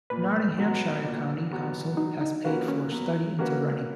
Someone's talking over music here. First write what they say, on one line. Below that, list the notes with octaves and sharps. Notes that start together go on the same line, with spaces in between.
Nottinghamshire County Council has paid for a study into running.
A#2 B4
F#3 B3 F#4
A#2
F#3 B3 F#4
F#3 D#4
D#4
A#3 C#4 F4 F#4 B4
C#4
F#3 B3
A#3 C#4 F#4 B4